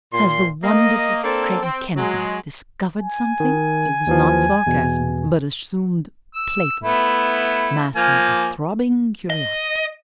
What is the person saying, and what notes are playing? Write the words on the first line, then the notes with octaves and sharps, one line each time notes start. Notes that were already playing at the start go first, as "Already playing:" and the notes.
"Has the wonderful Craig Kennedy discovered something?" It was not sarcasm, but assumed playfulness, masking a throbbing curiosity.
A#2 C6
A#3 D#5
A#3 C4 D4 A4
C4
F#3 G#3
G#5
D#3
D#2 E3 F3
E2 B2
E6
A3 B3 E4
F3 A#3 G#5
D#5